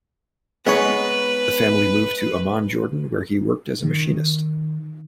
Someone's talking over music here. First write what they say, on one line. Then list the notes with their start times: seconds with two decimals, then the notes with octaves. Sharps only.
The family moved to Amman, Jordan, where he worked as a machinist.
0.67 G#3 B3 D#4 B4 C#5
3.84 D#3